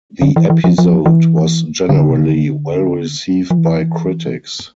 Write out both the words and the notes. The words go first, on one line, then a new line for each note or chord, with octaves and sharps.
The episode was generally well received by critics.
D3
E3
E3
F3
F3
E3
D3
C3
D3
F3
E3